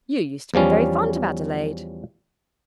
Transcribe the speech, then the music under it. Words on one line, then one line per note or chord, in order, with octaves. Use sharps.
"You used to be very fond of Adelaide."
E2 F3 G3 C#4